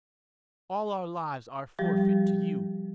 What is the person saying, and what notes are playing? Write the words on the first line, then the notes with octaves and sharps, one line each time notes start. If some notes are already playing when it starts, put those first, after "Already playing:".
All our lives are forfeit to you.
F3 G3 G4